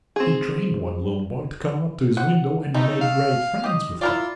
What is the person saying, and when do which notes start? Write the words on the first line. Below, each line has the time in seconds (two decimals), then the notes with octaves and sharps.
He trained one little boy to come up to his window and made great friends with him....
0.16 C4 G#4
2.17 F#5
2.74 G3 A3 D#4
3.01 F5
3.64 G4 D#5
4.01 E4 F4 A#4 D5